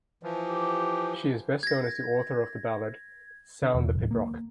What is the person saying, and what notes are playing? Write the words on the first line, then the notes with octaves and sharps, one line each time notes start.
She is best known as the author of the ballad "Sound the Pibroch".
E3 F3
G4
G#6 A#6
D3
E1
D1
A#3